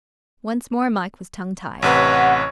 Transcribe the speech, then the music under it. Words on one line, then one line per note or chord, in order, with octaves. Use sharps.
Once more Mike was tongue-tied.
A1 C3 B4 C#5 F#5